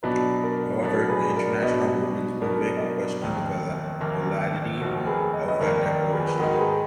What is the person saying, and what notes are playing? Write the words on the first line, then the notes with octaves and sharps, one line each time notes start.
However, the international women's movement questioned the validity of that declaration.
B2 F#3 B3 D4 B4 D#5
A#4 D5
B2 F#3 B3 D4 A#4 D5
G#4 B4
A#4 D5
B2 F#3 B3 D4 B4 D#5
B2 F#3 B3 D4 A#4 D5
D#5
A#4 D5
F1 D#2 D#3 A#3
F1 D#2 D#3 A#3
F1 D#2 D#3 A#3 F#4 A#4
G#4 B4
D#5
B4 D#5
F1 D#2 D#3 A#3 A#4 D5
A#4 D5
G#4 B4
B4
G#2 D#3 G#3 D#4 F#4 A#4
G#4 B4